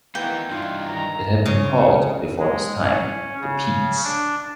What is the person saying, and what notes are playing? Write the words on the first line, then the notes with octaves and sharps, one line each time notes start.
It had been called, before his time, the Peaks.
E3 A#3 B3 D#4 G5
G2 E3 D#4 F4
D#3 A#5
C#3
G#3
C#4
C#3
D4